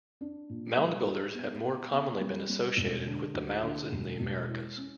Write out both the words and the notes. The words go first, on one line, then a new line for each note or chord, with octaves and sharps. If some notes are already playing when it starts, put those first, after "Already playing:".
"Mound builders" have more commonly been associated with the mounds in the Americas.
D4
A#2
G3
F#4
B3
B2
B2
G3
G3
E1
D3
D2
D3
E1
E1
E4
C#4